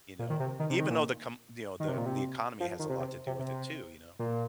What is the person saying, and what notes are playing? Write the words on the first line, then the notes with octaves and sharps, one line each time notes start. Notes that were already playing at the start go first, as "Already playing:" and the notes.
you know, even though the com you know, the the economy has a lot to do with it too, you know.
A#2
D#3
C3
D#3
C3
D#3
A#2
D#3
C3
A#2
C3
F3
D#3
C3
C3
C3
C3
A#2